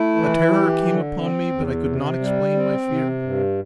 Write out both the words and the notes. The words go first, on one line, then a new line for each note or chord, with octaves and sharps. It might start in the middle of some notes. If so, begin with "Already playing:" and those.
A terror came upon me, but I could not explain my fear.
Already playing: A3 E4
E3
G4
D3
C4
E2
C3
G3
C4
C3
G2